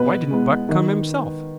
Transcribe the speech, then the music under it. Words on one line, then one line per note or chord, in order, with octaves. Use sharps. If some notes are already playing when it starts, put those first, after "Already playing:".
"Why didn't Buck come himself?"
Already playing: B2 B4
G#3 B3
D#3